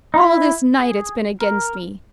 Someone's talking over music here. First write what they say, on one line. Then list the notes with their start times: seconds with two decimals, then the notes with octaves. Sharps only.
All this night it's been against me!
0.14 D#4
0.19 E4
0.79 G#4
1.41 A#4